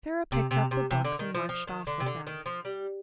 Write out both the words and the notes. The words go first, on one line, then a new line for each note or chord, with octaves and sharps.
Sara picked up the books and marched off with them.
C3
C3
C3
C3
D3
D#3
F3
F3
D#3
D3
C3
D3
D#3
F3
G3